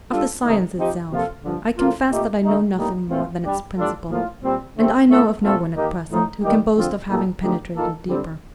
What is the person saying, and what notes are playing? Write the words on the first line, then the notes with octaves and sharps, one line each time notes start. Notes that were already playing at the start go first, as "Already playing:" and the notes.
Of the science itself, I confess that I know nothing more than its principle; and I know of no one at present who can boast of having penetrated deeper.
G3 D4 F4 A4
C3 D#3 A3 D#4
F3 C4 D#4 G4
C3 F3 A#3 F4 A4
G2 D3 F3
A2 F3 A#3 F4
A#2 A3 D#4 G4
D3 A3 D#4
A2 G3 A#3 D#4
A#2 A3 C4 F4
G3 D4 G4
A2 G3 D4 F4 A4
A2 F3 A#3 F4
A#2 G3 C4
D3 A3 C4 G4
A2 A3 C4 F4 A4
A#2 A3 C4 F4 A4
D#3 A#3 D#4 G4
A2 F3 A3 D#4
D#3 G3 A#3 D#4 G4
D3 F3 C4 F4
A#2 G3 A#3 D#4 A4
D3 F3 A3 D#4 G4
D#3 A#3 F4 A4
D3 G3 C4